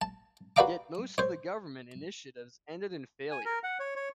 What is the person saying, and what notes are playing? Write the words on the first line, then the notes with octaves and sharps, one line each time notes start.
Yet most of the government initiatives ended in failure.
A5
F#4 B4 D5 F5 A#5 D6
C5 C#5
G#5
A#4
F#5
C#5
C#5